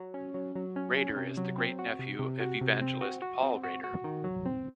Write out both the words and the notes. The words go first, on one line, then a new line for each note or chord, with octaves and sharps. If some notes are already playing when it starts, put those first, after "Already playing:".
Rader is the great-nephew of evangelist Paul Rader.
Already playing: F#3
C#4
F#3
F#3
C#4
C#4
C3
F#3
C4
F#4
C3
C3
F#4
C3
C4
F#4
F#4
C4
F#4
F#4
D#3
F#3
C4